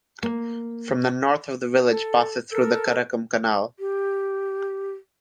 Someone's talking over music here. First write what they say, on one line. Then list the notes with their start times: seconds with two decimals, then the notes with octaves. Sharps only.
From the north of the village passes through the Karakum Canal.
0.23 A#3
1.89 A4
2.51 A4 A#4 A5 E6
3.79 G4